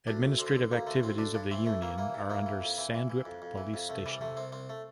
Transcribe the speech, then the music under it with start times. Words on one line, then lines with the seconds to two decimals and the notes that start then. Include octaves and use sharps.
Administrative activities of the union are under Sandwip police station.
0.07 D2 D4
0.24 D2
0.39 D3 C4
0.55 D3
0.71 D2 A#3
0.87 D3 A3
1.03 D2 C4
1.18 D3 D4
1.34 G2 D4
1.51 E3 C4
1.66 E3 A3
1.82 E3 A#3
1.98 E3 A#3
2.14 G2
2.30 E3 A#3
2.46 E3
2.62 F2
2.78 E3
2.94 E3
3.10 E3
3.25 F2
3.42 F2
3.57 E3
3.74 F2
3.89 C2 A3
4.06 E3 G3
4.21 C3 A3
4.37 C2 C4
4.52 C2 C4
4.69 A3